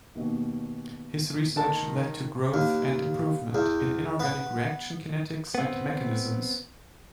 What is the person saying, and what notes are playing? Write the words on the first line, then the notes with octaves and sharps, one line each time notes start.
His research led to growth and improvement in inorganic reaction kinetics and mechanisms.
D#2 B2
D#3 A5
D#2
E2
B3
B3 C4